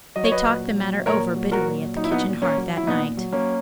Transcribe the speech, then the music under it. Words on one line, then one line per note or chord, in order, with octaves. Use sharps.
They talked the matter over bitterly at the kitchen hearth that night.
F#3 D#5
C#5
B4 D#5
A#2
F#3
A#2 A#4 C#5
F#3
F#4 A#4
A#2
F#3 D#4
E4
B3 D#4
A#2
A#3 C#4
F#3
E4
A#2 B3 D#4
F#3
A#3 C#4